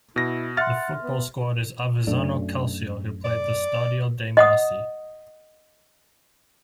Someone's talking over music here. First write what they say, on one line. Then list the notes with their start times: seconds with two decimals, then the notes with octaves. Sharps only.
The football squad is Avezzano Calcio who play at the Stadio dei Marsi.
0.16 B2 E4 A#6
0.57 E5 F#5 C6 F6 A6
1.03 B3
2.07 F#2 A3 D4
3.24 D5
4.37 D#5 F#5 D#6